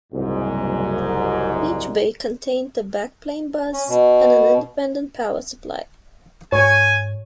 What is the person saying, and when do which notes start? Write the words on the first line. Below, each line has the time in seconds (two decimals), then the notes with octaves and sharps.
Each bay contained a backplane bus and an independent power supply.
0.13 F#1 C2 G#2
3.73 C#4
3.88 B2
6.52 G#2 C#5 G#5